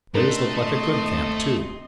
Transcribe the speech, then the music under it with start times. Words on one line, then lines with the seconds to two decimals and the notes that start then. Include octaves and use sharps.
Theirs looked like a good camp, too.
0.15 A3 C4 D4 A#4 D#5 C6